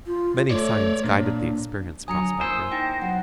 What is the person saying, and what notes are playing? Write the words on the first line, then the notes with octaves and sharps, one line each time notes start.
Many signs guided the experienced prospector.
F4
F4
A3 C#5 D5
A#2 D4
D3 F#3 G#5 A#5 D#6 C#7
A#3 E4 C5 G#5 E6
D#4 G5 A#6
B2 F#3 E4 F#5